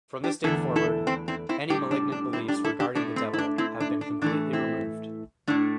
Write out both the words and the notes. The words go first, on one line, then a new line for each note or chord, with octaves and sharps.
From this date forward, any malignant beliefs regarding the devil have been completely removed.
D4 G4
E2 D3 A3 E4 A4
E4 A4
C4 E4
C4 E4
C4 E4
A2 G3 D4 G4
D4
D4
C4 E4
D4 G4
E4 A4
D4 G4
A2 A3 D4
C4
E4
D4
C4 E4
D4
D4
A2 E3 A3 D4
C4 E4
A2 A3 D4